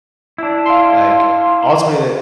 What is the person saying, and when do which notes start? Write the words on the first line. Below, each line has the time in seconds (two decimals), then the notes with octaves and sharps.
like, ultimately that
0.38 D4 E4
0.66 F5 C6